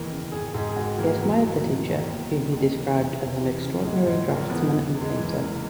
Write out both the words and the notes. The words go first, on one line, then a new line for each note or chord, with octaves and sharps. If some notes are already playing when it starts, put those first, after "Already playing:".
He admired the teacher, whom he described as an extraordinary draftsman and painter.
Already playing: E1 D#2 D#3 E3 A#4
C#3
G#1 G#4
G#2 G#4
G#4
G#1 F#4
E3 A#3
E1 F#3
D#2
E1
D#3
D#2
C#3
D#2
E3
E1
E2
E3
C#3
A#1 G#3
G#2 G#3
A#1 A#3
E3 B3
E1
E2
G#3
E3
A#3
C#3